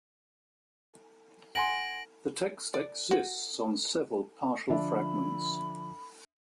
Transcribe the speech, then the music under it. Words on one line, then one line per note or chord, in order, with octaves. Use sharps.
The text exists on several partial fragments.
F#5 G#5 C6 A#6 D7 F#7
D5
F#4
D3 F3 D4 E5 B5